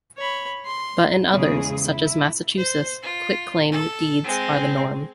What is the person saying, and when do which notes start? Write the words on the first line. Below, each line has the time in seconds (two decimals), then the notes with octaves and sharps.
But in others, such as Massachusetts, quitclaim deeds are the norm.
0.18 C#5 B5
0.66 C6
1.32 E2 C#3 G#3 G#4
1.88 E4
2.57 C5
3.03 F4
3.71 A4
4.24 G#3 C4